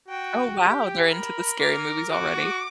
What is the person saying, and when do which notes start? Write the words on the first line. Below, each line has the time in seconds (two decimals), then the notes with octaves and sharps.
Oh, wow, they're into the scary movies already?
0.08 F#4 G5
0.59 G4 G5
1.08 A#4 B5
1.59 A#4 D6
2.10 F#4 D6